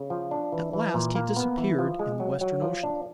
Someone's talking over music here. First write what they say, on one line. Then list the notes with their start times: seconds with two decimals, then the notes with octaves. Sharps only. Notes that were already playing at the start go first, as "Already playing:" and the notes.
At last he disappeared in the western ocean.
Already playing: C#3
0.10 F3
0.31 D4
0.52 E3
0.73 E3
0.94 A#2
1.15 A#3
1.37 B3
1.58 E3
1.79 F3
1.99 G#3
2.20 F#3
2.41 F#3
2.62 F3
2.83 D4